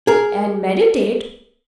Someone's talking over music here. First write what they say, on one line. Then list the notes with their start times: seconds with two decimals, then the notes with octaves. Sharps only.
'And meditate?
0.07 G#4 A#4